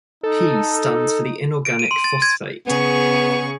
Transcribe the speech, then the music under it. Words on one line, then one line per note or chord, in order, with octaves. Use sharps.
P stands for the inorganic phosphate.
D#4 A4
D7
D#7
C6
A6
G#6
C#3 B3 G#4 C#6